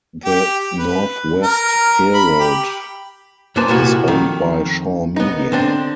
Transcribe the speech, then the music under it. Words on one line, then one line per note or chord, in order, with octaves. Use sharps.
The Northwest Herald is owned by Shaw Media.
G4
B4
A#4
B5
G4
F#2 G3 A#3 B4 C5 A5
C2 A#2 E4 F#4
F2 D#3
B3 D#4
D3 C4 D4